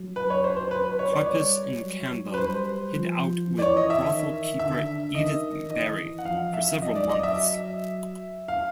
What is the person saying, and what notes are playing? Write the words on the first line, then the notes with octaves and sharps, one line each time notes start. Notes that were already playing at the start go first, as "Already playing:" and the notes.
Karpis and Campbell hid out with brothel-keeper Edith Barry for several months.
Already playing: F#3
B4
C#5
C5
C5
B4
B4
C#5
D5
G3 C#5
F#3
B4
G3 C5
F3
E3
D5
C#5
D#5
E5
D#3
D3 E5
D#3 D#5
E3 D#5
F#5
F3 F5
E5
F#3 D#5
D5
D#5
E5
F5